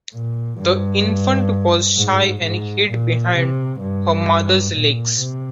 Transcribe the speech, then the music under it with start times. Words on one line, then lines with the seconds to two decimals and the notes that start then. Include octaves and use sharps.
The infant was shy and hid behind her mother’s legs.
0.13 A#2
0.59 G2
1.97 G#2
2.43 G#2
2.89 A#2
3.35 C3
3.81 G2
4.74 A#2
5.19 C3